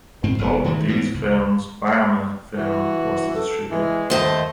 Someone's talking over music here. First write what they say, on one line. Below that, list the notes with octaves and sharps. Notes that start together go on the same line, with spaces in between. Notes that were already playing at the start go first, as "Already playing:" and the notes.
For both of these films Varma Films was the distributor.
G#2 C4
F1 B3
D#3 E3 G3 A3
A2 E3 B3
C#2
E3 F#4
A4
E3 G#3
D#2 A3 C5 D#5 A5